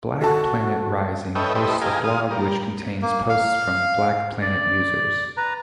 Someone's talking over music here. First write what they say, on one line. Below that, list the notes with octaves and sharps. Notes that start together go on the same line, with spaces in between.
BlackPlanet Rising hosts a blog which contains posts from BlackPlanet users.
F#4 A4 A5
A4 B4 C#5 D#5 E5 G5
G4 A4 B4 C5 D#5 E5
G4 D#5 F5 G#5 A#5
F5 D#6
G3 A#4
A#3
F5
D5
B4 A#5